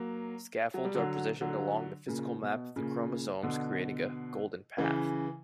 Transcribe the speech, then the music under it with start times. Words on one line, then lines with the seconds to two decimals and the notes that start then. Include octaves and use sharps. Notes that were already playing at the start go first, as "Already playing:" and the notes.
Scaffolds are positioned along the physical map of the chromosomes creating a "golden path".
Already playing: F#3 A#3
0.74 F#3
0.85 G3
0.95 D3 F#3
1.41 D3 F#3
2.08 A#2 C#3
2.43 B2
2.76 A#2 C#3
3.43 B2 D3
4.78 C#3 E3